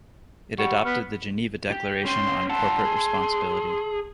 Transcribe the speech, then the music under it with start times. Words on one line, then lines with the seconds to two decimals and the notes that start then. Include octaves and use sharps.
It adopted the Geneva Declaration on corporate responsibility.
0.58 G3 F#5 C#6 C#7
0.85 B3 F6 B6
1.71 G4
2.05 C#4 G5 C6
2.50 G3 A4 F#5 C6
2.85 G#4